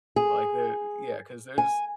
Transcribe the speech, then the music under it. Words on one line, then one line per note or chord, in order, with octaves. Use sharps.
Like the Yeah, 'cause there's
G#4
G#5